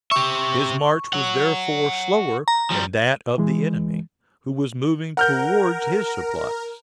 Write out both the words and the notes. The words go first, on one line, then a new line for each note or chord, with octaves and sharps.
His march was therefore slower than that of the enemy, who was moving towards his supplies.
G4 E5 C#6
C#5 F#5
A#5
F3 G3
E3 G#3
A#4 F#5 F6 G6